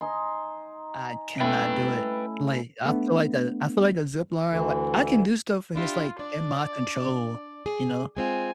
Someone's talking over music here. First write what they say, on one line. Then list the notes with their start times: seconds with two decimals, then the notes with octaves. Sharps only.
I cannot do it, like, I feel like the I feel like the zipline, like I can do stuff when it's, like, in my control, you know?
0.01 D#4 G#5 C6
1.40 A3 C#4 E4 B4 G5
2.85 A3 B3 D4
4.50 D2 D3 E3
5.76 D4 E4 F4 G4
6.19 D4 D5
7.66 G#4
8.17 G#3 C4 F4 G#5